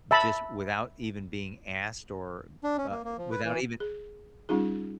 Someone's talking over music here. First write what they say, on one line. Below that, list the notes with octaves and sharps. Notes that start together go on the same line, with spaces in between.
just without even being asked or, uh, without even
E5 A5 B5
D4
C#4
A#3
A#3
F3
B4
E3
G#4
G3 C#4 D#4 F4 G#4